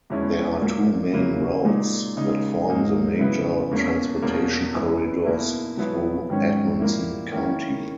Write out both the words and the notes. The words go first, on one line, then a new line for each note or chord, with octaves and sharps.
There are two main routes that form the major transportation corridors through Edmonson County.
E2 B2 G#3 C#4 E4
A#2 F#3 A#3
C#3 F#3 A#3 E4
A#2 G#3 D#4
C#3 G#3 D#4
G#2 F#3 A#3 D#4
C#3 F#3 B3 E4
E2 B2 A#3 C#4
E2 B2 A#3 C#4
F#2 E3 B3
B2 A#3 E4
B2 F#3 B3 E4
G#2 D#3 F#3 C#4
A#2 A#3 E4
D#3 A#3 C#4 E4